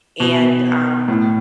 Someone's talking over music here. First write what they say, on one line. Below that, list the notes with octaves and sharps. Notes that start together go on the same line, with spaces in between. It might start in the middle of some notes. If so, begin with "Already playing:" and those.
and, um,
B2
A2